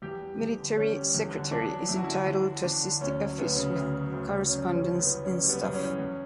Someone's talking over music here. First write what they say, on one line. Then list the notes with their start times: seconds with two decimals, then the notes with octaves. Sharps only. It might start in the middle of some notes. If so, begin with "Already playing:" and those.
Military Secretary is entitled to assist the office with correspondence in staff.
0.02 E2 G4
0.21 G3
0.40 E2
0.59 D3
0.77 E2 C#4
0.96 G3
1.15 E2
1.33 D3
1.51 E2 D4
1.70 F#3
1.89 E2 E4
1.97 F#4
2.04 D3 E4
2.26 E2 E4
2.45 F#3
2.63 E2 D4
2.82 D3
3.01 D2 C#4
3.19 F#3
3.38 D2 B3
3.57 C#3
3.76 D2
3.94 F#3
4.12 D2
4.31 C#3
4.49 F#2 C#4
4.69 G3
4.75 C#4
4.87 F#2
4.99 B3
5.05 E3
5.24 F#2 C#4
5.43 G3
5.49 B3
5.61 F#2
5.74 C#4
5.80 E3
5.98 E2